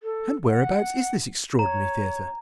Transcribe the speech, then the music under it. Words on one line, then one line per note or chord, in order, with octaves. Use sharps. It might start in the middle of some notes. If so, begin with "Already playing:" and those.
And whereabouts is this extraordinary theatre?
A4
F#5
C#5 A#5